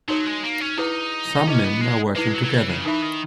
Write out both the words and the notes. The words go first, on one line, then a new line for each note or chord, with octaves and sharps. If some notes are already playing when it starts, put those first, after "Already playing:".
Some men are working together.
F#3 D#4 F#4 A#4 C#5
G#3
A#3
C#4
D#4 E4 G#4 B4 F#5
C#4 E4 G#4 D#5
B3
G#3
G#3 E4 G#4 B4
F#3
F#3
E3
C#3
F#3
E3 D#4 A#4 E5 B5
D#3